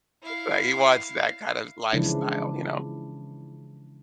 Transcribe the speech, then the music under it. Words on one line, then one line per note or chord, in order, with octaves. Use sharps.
Like, he wants that kind of lifestyle, you know?
E4 F5
C#3 E3 F3 G#3 D4 E4